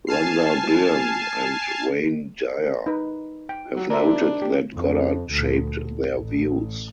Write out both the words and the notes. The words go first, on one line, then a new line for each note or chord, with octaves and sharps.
Rhonda Byrne and Wayne Dyer have noted that Goddard shaped their views.
G#5 A5 F6 C7
D#4 B4
G5
F#3
D4 A#4 C5 E5
G4
F2
D2 A#2
A1